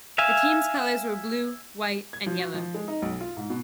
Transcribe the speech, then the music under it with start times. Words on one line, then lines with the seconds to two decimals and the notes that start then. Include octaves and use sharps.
The team's colors were blue, white and yellow.
0.18 E5 F5 G#5
2.13 G#6
2.26 F3
2.39 F#4
2.54 F3
2.74 G#3
2.88 D#4
3.02 B1
3.21 F4
3.37 G#2
3.50 B2